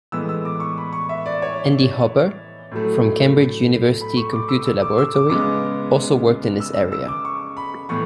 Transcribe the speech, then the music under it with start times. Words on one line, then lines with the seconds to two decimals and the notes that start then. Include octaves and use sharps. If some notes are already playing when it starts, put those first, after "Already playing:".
Andy Hopper from Cambridge University Computer Laboratory also worked in this area.
0.12 A2 E3 G#3 B3 E6
0.29 E6
0.45 D6
0.60 C#6
0.78 B5
0.93 C#6
1.09 E5
1.26 D5
1.42 C#5
2.72 A2 F#3 A3
4.01 B5
4.17 C#6
4.33 D6
4.49 E6
4.66 E6
4.82 D6
4.98 E6
5.15 D6
5.30 C#3 G#3 B3 D6
6.60 E6
6.75 E6
6.92 E6
7.08 D6
7.25 C#6
7.57 B5
7.89 A2 E3 B3 C#6